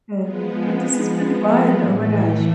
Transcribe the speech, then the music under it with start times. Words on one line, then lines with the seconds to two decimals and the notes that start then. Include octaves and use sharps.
Eh, but this has been fun, oh my gosh.
0.19 F3 G#3 B3
1.82 A2 E3 A3